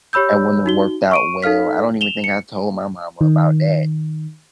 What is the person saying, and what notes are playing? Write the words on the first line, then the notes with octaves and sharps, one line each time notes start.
that wouldn't have worked out well. I don't even think I told my mama about that,
G4 C#5 B5 E6 G6
D#4 F#4 G7
C#6 D7 D#7
D#4 A4 F5 F6 B6
E7 F7 G7
C#7
D#3